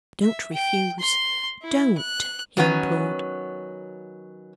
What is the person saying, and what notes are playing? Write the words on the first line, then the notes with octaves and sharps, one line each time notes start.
"Don't refuse; don't," he implored.
E5
G5
C6
E4
F#6
D#3 F#3 B3 C#4